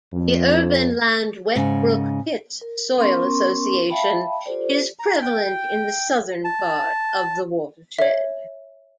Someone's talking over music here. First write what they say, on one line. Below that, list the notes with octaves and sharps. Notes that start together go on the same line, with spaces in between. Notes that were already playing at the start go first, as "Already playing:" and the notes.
The Urban Land-Wetbrook-Pitts soil association is prevalent in the southern part of the watershed.
F2
G#2 C#3
A#4
B3 C#4 A#4 C6 C#6
E5 F5 G5 A5 B5
F4 G4 A4 C5 D5
A#5
G5
A5
C#5 E5